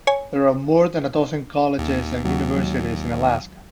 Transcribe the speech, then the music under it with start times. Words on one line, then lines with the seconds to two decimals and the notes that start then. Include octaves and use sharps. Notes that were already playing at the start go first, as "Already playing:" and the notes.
There are more than a dozen colleges and universities in Alaska.
0.07 C#5 G#5
1.78 D#2 D#3
2.24 D#2 F#3 F#4
2.55 E3 F#3 G#3